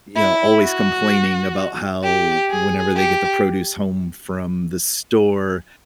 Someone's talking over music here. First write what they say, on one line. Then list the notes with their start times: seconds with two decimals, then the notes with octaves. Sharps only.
you know, always complaining about how whenever they get the produce home from the store,
0.16 E4
0.63 F#4
2.03 G4
2.50 G#4
2.96 G4